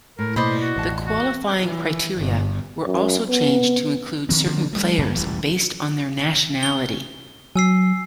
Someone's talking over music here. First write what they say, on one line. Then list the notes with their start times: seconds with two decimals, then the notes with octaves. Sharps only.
The qualifying criteria were also changed to include certain players based on their nationality.
0.19 A2 A#4
0.36 B2 A#3 C5 D5 D#5 B5
0.62 F#4
0.76 A1 E2 A5
1.06 F#4
1.61 E3
2.17 G1
2.86 F#2
3.28 B3
4.29 D#3 F3 C4
4.46 D3 F3 A#3 D4
4.73 G3 A3
4.98 G#1 F#2 C#3 A#3
5.13 E1 A1 E3 G3
6.63 G7
7.56 F#3 G#5 E6 C7